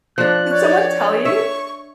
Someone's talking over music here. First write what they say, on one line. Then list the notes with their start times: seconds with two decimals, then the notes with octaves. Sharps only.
Did someone tell you,
0.18 F3 D4 F#6
0.52 C#5 D5
1.25 E5 C#6